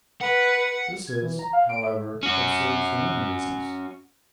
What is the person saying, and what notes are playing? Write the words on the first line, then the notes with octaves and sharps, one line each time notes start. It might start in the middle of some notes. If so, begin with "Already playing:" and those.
This is, however, absurd for many reasons.
B4 F#5
G#6
E3
A#5
F5
D7
E5
C#4 F#4